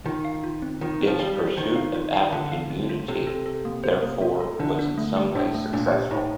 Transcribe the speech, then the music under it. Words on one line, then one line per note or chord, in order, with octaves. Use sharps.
Its pursuit of African unity, therefore, was in some ways successful.
D#3 F4
F5
F4
C4
D#3 F4
C4
F3
G3 F5
C5
D#3 C5
F5
F4
F5
D3 F4
F5
C4
F4
C3 A4
A4
A4
A#3
C5
A#3
F4
A4
D3 D4
D4
A3
G4
A2 D4
A3
A#2 D4
G4
A2 D#4